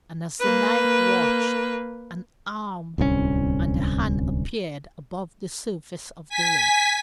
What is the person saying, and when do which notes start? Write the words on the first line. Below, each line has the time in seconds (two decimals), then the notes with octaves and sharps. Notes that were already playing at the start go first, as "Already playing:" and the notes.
And as the knight watched, an arm and a hand appeared above the surface of the lake.
0.40 A#3 B4
2.98 D1 C2 B2 C#4
6.29 G#5 B6